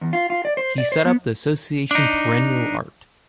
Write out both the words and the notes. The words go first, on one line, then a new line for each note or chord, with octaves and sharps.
He set up the association Perennial Art.
E2
F4
F4
D5
C5
D5
C5
B3
D4 D#4